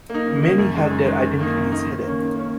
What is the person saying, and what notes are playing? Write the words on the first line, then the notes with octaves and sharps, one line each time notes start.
Many had their identities hidden.
A#3 D#4
C#3
A#3 D#4
F#2
D#3 G#3
F#2
D#3 G#3
F#2
D#3 A#3 D#4
F#2
D#3 A#3 D#4
D#3
A#3 C#4
D#3
A#3 C#4